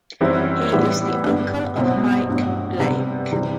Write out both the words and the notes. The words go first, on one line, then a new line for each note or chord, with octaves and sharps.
He is the uncle of Mike Blake.
F#2 E3 G3 C4 E4
A2 E3 G3 B3 E4
G2 D3 G3 B3
B1 B2 F#3 C4 E4
A1 G2 F#3
C3 G3 B3
C2 C3 E3 G3